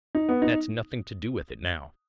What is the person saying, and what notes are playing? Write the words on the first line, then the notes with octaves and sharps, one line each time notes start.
That's nothing to do with it now!
D#4
B3
D#4